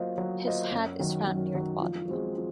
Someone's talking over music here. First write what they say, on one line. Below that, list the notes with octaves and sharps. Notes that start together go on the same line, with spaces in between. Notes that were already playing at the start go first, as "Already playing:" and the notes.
His hat is found near the body.
Already playing: F#3 A#3 F4 C5 D#5
F#3
A#3 F4 C5 D#5
F#2
D#3 F#3
F#2
D#3 F#3
F3
G#3 C4 F#4
F3